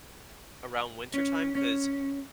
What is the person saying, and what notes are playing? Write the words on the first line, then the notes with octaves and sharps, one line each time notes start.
around wintertime, 'cause
C#4
C#4